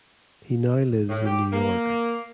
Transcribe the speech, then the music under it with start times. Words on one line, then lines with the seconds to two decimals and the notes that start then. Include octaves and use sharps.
He now lives in New York.
1.09 A2
1.26 G4
1.53 A#3